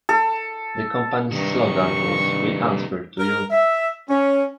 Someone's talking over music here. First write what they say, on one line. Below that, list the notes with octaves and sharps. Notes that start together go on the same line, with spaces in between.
The company's slogan was We answer to you.
A4
G2 C3 D#3 C#6
A#4
E5
C#4